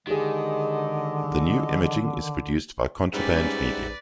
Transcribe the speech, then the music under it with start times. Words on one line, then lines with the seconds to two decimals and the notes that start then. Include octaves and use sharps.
The new imaging is produced by Contraband Media.
0.07 D3 D#3 G#3 G4 G#4 D#5
3.13 G#2 G3 C#4 G4 B4 D5 E5 F#5